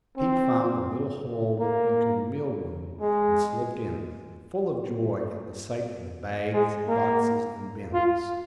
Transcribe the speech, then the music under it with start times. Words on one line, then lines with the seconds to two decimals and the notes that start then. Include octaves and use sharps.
Peep found a little hole into the meal-room, and slipped in, full of joy at the sight of the bags, boxes, and bins.
0.17 C4
1.59 A#3
3.00 G#3
6.53 G#3
6.88 A#3
7.93 F4